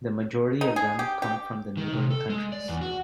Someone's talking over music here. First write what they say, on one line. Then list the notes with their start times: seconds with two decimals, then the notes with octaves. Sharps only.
The majority of them come from the neighbouring countries.
0.61 D#4
0.76 G#4
0.99 G4
1.22 G4
1.77 D#3
1.93 C3
2.11 A4
2.30 G#3
2.52 D5
2.68 E2
2.81 F#4